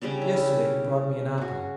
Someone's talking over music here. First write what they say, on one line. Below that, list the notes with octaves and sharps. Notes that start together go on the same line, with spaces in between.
Yesterday he brought me an apple.
C#3 G3 C#4 D4
E4
F#4 G#4